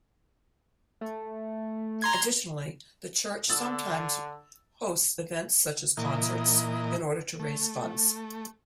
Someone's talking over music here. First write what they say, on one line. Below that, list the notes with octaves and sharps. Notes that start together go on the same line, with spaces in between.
Additionally, the Church sometimes hosts events such as concerts in order to raise funds.
A3
A#5 C6 G#6
D3 E6 A6 F#7
A#2 E3 A#4 D#5
A3